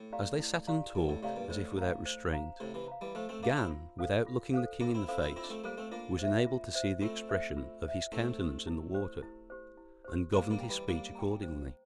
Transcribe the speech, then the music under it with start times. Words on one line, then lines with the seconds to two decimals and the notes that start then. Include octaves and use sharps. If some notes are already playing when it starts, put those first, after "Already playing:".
As they sat and talked, as if without restraint, Gan, without looking the king in the face, was enabled to see the expression of his countenance in the water, and governed his speech accordingly.
Already playing: A2
0.13 G4 D5 F5 A#5
0.40 E4
0.67 G4 D5 F5 A#5
0.95 G2 E4
1.09 A2
1.22 A2 C3 G4 D5 F5 A#5
1.36 G2 A#2
1.50 A2 C5
1.78 F5 A#5
2.06 C5
2.33 F5 A#5
2.60 A2 C3 C5
2.74 C3 E3
2.88 F5 A#5
3.01 E3 G3
3.15 F3 A3 C5
3.29 A3 C4
3.43 A#3 D4 F5 A#5
3.57 C4 E4
3.71 F4
3.99 A4 C5 F5
4.26 F4
4.54 A4 C5 F5
4.81 A#3 D4 F4
4.94 C4 E4
5.08 C4 E4 A4 C5 F5
5.22 C4 E4
5.36 C4 E4 F4
5.44 D4
5.50 A3 C4
5.64 G3 A#3 A4 C5 F5
5.77 A3 C4
5.91 A#3 D4 F4
6.19 C5 E5
6.47 F4
6.74 C5 E5
7.01 A3 C4 F4
7.29 C5 E5
7.57 F4
7.85 C5 E5
8.12 A3 C4 E4
8.39 G4 C5
8.67 E4
8.95 G4 C5
9.23 E4
9.50 G4 C5
9.77 E4
10.05 G4 C5
10.32 G3 A#3 C5
10.51 G3 A#3
10.60 G5 A#5
10.69 E3 G3
10.88 G3 A#3 C5
11.15 G5 A#5
11.43 C5